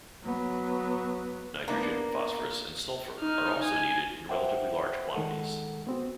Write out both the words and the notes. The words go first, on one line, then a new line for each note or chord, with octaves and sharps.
Nitrogen, phosphorus, and sulfur are also needed in relatively large quantities.
F#3 B3
A#3 B3 D4 A#5
D#4 F6
G#5
C5 E5 F#5 G5
D#3 G#3 A4 F#5
B3 C4 F#4